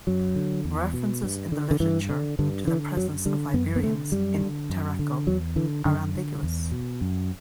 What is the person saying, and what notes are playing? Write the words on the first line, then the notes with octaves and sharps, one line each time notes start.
References in the literature to the presence of Iberians in Tarraco are ambiguous.
F#2 F#3
D3
E2
B2
G2
D3
D3
G2 E3
D3
G2 D3
D3 E3
F#2 F#3
D3 G3
F#2 B3
B3
D3 A3
F#2 G3
D3
F#2
D3
E2 F#3
D3 E3
F#2 D3
D3
E2
B2
F#2